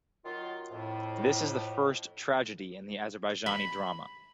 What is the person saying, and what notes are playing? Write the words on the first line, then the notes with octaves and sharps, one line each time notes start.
This is the first tragedy in the Azerbaijani drama.
D#3 F#3 F4
F2 A2
B5